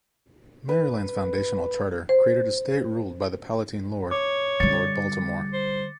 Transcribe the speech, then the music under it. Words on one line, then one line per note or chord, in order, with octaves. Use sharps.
Maryland's foundational charter created a state ruled by the "Palatine lord," Lord Baltimore.
B4
C5
C#5 D6
D3 G3 A6 C#7
C5